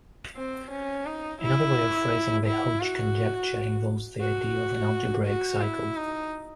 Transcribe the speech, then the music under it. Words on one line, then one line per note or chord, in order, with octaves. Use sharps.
Another way of phrasing the Hodge conjecture involves the idea of an algebraic cycle.
C4
C#4
D#4
E4
E4
F#4
F#4
F#4
E4
D#4